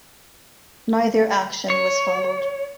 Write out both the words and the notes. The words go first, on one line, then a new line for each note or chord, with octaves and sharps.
Neither action was followed.
C#5